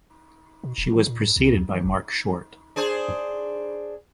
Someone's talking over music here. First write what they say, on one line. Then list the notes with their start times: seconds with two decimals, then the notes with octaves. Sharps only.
She was preceded by Marc Short.
0.64 B2
0.78 D1
0.93 E3
1.07 A#2
1.21 G#2
1.36 C2
1.53 D#2
1.69 E3
1.85 G1
2.76 D4 G#4 C5